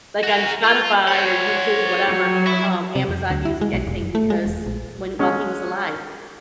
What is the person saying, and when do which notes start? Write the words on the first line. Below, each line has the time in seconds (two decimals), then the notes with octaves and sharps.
like, on Spotify or YouTube, whatever, um, Amazon music, anything because when while he was alive,
0.24 F#4 A#4
0.64 F4
1.07 C5 C#5 F#5
1.58 C#5
2.07 F#3
2.46 E5 B5
2.95 C3
3.09 F2
3.30 D2
3.45 E4
3.61 G#3
3.73 B1
3.87 F1
4.02 F#2
4.15 A3
4.30 G#3
4.45 E1
4.66 A#1
5.19 G#3 C#4